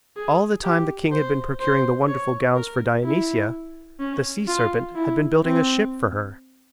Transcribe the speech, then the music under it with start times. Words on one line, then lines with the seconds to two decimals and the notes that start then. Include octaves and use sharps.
All the time the king had been procuring the wonderful gowns for Dionysia the sea serpent had been building a ship for her.
0.16 G#4
0.64 G4
1.12 C5
1.60 C5
2.08 C#5
2.56 A#4
3.04 E4
4.00 C#4
4.48 F4
4.95 E4
5.44 C4